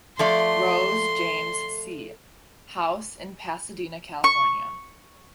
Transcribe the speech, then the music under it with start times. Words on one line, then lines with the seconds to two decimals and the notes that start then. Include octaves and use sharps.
Rose, James C. House in Pasadena, California.
0.19 F3 A3 D5 C6
4.24 C#6